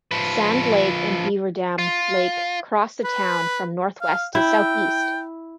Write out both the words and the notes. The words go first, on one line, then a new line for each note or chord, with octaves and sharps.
Sand Lake and Beaver Dam Lake cross the town from northwest to southeast.
F3 B4
F4
B4
F5
E4 G5